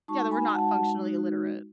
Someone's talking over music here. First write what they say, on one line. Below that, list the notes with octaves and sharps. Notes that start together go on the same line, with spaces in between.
Yeah, that we're not functionally illiterate.
G#3 D#4 F#4 A5 C#6
G#5 B5
G#3 D#4 F#4 F#5 A5
G#3 D#4 F#4